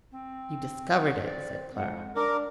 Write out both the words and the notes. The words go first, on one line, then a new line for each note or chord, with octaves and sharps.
"You discovered it!" said Clara.
C4
C4 D5
F2 G#3 F#5
D4 A#4 D6